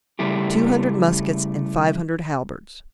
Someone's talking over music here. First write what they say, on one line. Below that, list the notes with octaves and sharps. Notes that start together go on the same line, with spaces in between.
"Two hundred muskets and five hundred halberds."
C#3 G3 A3 E4 G4